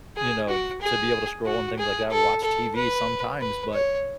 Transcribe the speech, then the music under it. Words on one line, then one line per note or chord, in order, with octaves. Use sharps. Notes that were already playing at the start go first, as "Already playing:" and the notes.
you know, to be able to scroll and things like that or watch TV sometimes, but
G#4
F#4
G#4
F#4
G#4
A4
A4
B4
B4
C#5